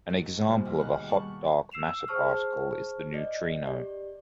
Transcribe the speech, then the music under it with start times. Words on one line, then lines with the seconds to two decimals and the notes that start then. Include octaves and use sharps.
An example of a hot dark matter particle is the neutrino.
0.09 D#4 F#4 A4
0.45 G#2 C3 F3 G3 A#3
0.65 G#2 B2 D#3
0.78 D#2 F6 F#6
1.07 G3 F#5 A5 C#6
1.71 E6 C7 E7 F7
2.08 G#4 C5 A5 C#6 F6
3.14 D5 D#5
3.66 G4 D5